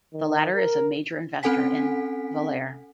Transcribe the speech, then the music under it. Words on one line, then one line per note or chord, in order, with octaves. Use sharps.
The latter is a major investor in Valuair.
D#3
A#4
C4 C#4 A4 F#5 G#5 B6